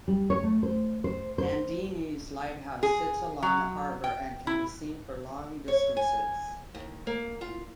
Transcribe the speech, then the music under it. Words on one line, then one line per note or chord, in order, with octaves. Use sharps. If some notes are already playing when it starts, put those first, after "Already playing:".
Andenes Lighthouse sits along the harbor and can be seen for long distances.
G3
C#5
A3
C5
C5
C5
G#4
F#3
G5
E4
C#5
G#5
D#2
A#3
F4